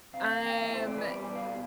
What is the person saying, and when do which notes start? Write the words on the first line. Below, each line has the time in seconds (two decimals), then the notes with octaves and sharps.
Um, eh,
0.13 C3 F5
0.29 E2 F5
0.45 E2 G5
0.62 E3 E5
0.74 C5
0.77 C3
0.86 D5
0.93 E2 B4
1.10 G3 D5
1.27 B2
1.35 F5
1.43 B2